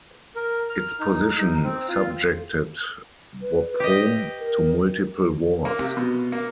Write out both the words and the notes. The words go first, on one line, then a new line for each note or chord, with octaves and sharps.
Its position subjected Bapaume to multiple wars.
A#4
F6
D#4
D#4
C4
F4
B4
G4 D#5
A#4
A#3
C3
B2
A#3